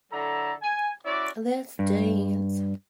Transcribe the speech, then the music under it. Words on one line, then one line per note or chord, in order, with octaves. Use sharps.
Let's dance.
D3 F#3 E4 A4 A#5
G#5
C#4 E4 F#4 D5
G2